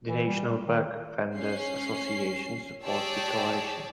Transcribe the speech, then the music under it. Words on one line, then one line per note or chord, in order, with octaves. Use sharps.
The National Bulk Vendors Association supports the Coalition.
E3
G3
G3
D#3
C#4 C7
G4 G#4 C#5 D5 A5 E6